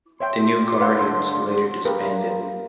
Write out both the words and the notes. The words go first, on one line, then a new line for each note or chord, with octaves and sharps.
The New Guardians later disbanded.
C#5 E5 G5 C6
D3 B4 F5 F#5
A#3 G4 A#4 B4